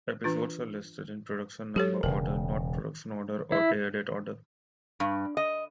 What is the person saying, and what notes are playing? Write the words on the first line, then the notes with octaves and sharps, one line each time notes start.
Episodes are listed in production number order, not production order or air date order.
E3 D4 F4
F#3 G4 A4 C#5
E1 C#3 A#4
E4
G2
D#5